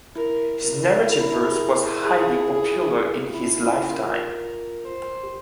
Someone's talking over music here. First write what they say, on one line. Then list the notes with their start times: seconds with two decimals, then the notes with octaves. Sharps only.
His narrative verse was highly popular in his lifetime.
0.16 E4 A#4
0.63 A#4
1.09 E4
1.20 E4
1.32 E4
1.44 G#4
1.55 G4
2.02 E4 G#4
2.09 F4
2.17 E4
3.17 G4
3.26 F4
3.34 E4
3.43 C#4
3.66 E4
3.90 F4 A#4
4.84 C5
5.23 G4